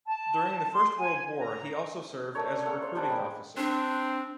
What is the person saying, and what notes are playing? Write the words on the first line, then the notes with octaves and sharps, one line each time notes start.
During the First World War he also served as a recruiting officer.
A5
C6
G#5
A#5
A3 D4 A#4 C#5
A#3 A4 D5 F#5
C5 C#5
G3 D4 G#5 D6
G#3 G4 B4 G5
C4 D4